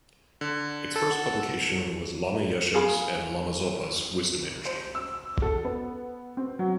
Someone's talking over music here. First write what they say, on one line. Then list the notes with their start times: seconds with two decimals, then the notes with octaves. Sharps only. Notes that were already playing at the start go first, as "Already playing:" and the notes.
Its first publication was Lama Yeshe's and Lama Zopa's Wisdom Energy.
0.41 D3
0.96 A4
1.11 F#5
2.74 G#4 F5 B5
4.65 C5
4.95 E6
5.42 A4
5.65 B3
6.37 C4
6.59 F#3